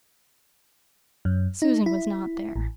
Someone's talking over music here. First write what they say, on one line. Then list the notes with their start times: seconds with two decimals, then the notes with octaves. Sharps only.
Susan was not there.
1.25 F#2
1.62 D#4
1.86 E4
2.56 A1